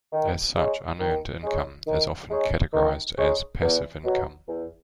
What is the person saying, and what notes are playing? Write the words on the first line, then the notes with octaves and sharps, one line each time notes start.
As such, unearned income is often categorized as "passive income".
D#3
G#3 D#4 G#4 C#5
D#3
G#3 D#4 G#4 C#5
D#3
G#3 D#4 G#4 C#5
D#3
G#3 D#4 G#4 C#5
E2
B2 F#3
E2